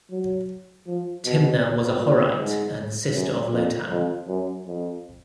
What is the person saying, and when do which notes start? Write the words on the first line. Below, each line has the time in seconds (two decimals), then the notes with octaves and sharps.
Timna was a Horite and sister of Lotan.
0.11 F#3
0.87 F3
1.25 B2
2.00 A#2
2.38 G#2
3.14 F#2
3.51 F2
3.90 F2
4.28 F#2
4.66 F2